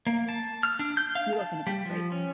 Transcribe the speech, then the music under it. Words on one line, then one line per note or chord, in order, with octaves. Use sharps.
You are going to be great.
A#3
A5
F6
D4
G6
F5
A5
G3
F3
C#4